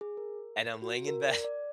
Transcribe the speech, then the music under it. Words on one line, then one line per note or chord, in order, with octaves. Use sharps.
and I'm laying in bed
G#4
A#4
F#4
A#4
D5
D5